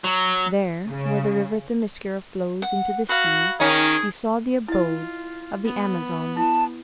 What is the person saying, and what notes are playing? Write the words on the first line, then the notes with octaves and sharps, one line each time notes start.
There, where the River Themiscyra flows into the sea he saw the abodes of the Amazons.
F#3
C#3
F#5
F#4 F5 B5
D#3 C#4 D#4 G#4
E4 F4 D#5
B3
E4 A5